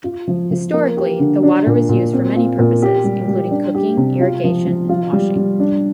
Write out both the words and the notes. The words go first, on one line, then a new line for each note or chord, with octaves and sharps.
Historically, the water was used for many purposes including cooking, irrigation, and washing.
F4
F3
F3
A#3
G4
D3
D4
A#2
A#2
C4
F4
A#2
G4
G3
G3
D4
G4
C3
F4
F3
F3
F4
G3
G3
D4